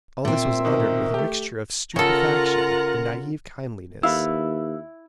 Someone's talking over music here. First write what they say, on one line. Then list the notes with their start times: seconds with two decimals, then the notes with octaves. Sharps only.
All this was uttered with a mixture of stupefaction and naive kindliness.
0.25 A#2 C4 E5
0.65 B2 D#3 A#4
1.14 A3 G4
1.96 C#3 F4 A4 A#4 F#5 A#5
4.03 D#2 E4 A4 B4 F5 E6